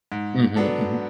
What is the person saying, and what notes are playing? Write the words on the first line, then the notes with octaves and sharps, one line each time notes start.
Mhm, mhm.
G#2
F#3 B3 D4 A4